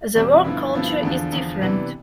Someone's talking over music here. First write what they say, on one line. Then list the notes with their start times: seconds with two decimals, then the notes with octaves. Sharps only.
The work culture is different.
0.15 E2 B2 G3 C4
0.44 G2 D3 F3 B3 E4
0.73 G2 D3 F3 B3 E4
1.02 E2 D3 F3
1.32 E2 D3 F3
1.61 C3 E3 B3 D4